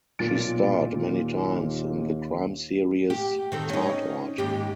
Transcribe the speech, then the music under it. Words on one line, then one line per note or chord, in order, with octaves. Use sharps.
She starred many times in the crime series "Tatort".
B1 A#2 A6 D7
D#2
G4
D#3 C4 A4
C#4 D#4
D#2 G#2 G4